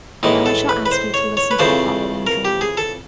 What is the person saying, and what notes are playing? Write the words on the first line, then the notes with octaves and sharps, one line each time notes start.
And now I shall ask you to listen to the following dream.
A2 E3 G#3 D#4
A4
B4
B4
C5
C#5
C#5
B4
F2 C#3 E3 A3 C5
A#4
G4
G#4
A4